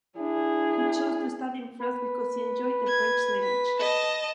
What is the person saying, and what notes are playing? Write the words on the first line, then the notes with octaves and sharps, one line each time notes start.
She chose to study in France because she enjoyed the French language.
D4 E4 G#4
B4
G#6
B6
D#5 A5